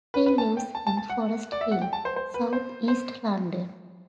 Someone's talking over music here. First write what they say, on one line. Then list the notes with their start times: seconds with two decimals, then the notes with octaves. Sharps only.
He lives in Forest Hill, south east London.
0.14 B4
0.26 B4
0.38 A5
0.57 G5
0.75 A5
0.87 A5
0.97 A5
1.09 F#5
1.52 D5
1.61 E5
1.71 F#5
1.81 G5
1.93 A5
2.05 C5
2.16 C5
2.34 B4
2.53 C5
2.88 C5